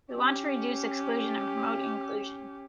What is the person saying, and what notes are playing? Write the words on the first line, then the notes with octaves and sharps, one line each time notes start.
We want to reduce exclusion and promote inclusion.
C#4 G4